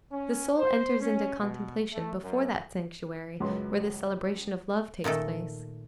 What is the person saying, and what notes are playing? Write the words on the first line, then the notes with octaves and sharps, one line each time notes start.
The soul enters into contemplation before that sanctuary where the celebration of love takes place.
C#4
C5
C#4
B2
A3
F#2
C#2 F#2 F#3 B4 C6
A#2 D#3 A3 A4